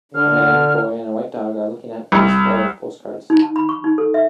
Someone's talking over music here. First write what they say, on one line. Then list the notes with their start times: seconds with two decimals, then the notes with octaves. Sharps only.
A man, boy and a white dog are looking at a display of postcards.
0.14 D3 F6
2.12 C2
3.30 D#4
3.42 A5
3.56 B5
3.69 C#6
3.84 D#4
3.98 A4
4.14 E5